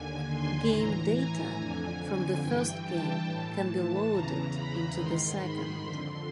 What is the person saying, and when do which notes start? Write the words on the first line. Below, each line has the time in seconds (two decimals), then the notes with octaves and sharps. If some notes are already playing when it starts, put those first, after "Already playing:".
Game data from the first game can be loaded into the second.
Already playing: D#2 D3 G#5
0.29 C6
0.71 A2 E3 A#5
1.13 G#5
1.56 F2 D3 G#5
2.41 G2 E3 G5
2.84 A5
3.26 A2 E3
4.11 E2 C#3 E3 A#5
4.54 B5
4.96 G#2 D#3 C6
5.38 B5
5.81 F2 D3 C6